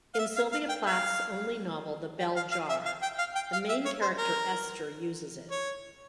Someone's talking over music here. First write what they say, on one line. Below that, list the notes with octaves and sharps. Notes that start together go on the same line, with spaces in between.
In Sylvia Plath's only novel The Bell Jar the main character Esther uses it.
F5
E5
F5
F5
G5
F5
G5
F5
F5
E5
F5
G5
F5
G5
F5
E5
C#5
C5
A#4
C#5